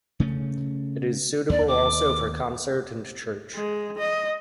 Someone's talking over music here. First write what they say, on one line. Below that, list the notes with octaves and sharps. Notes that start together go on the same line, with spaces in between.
It is suitable also for concert and church.
C#3 A3 C#4
D#2 D5
D6
G#3
D#5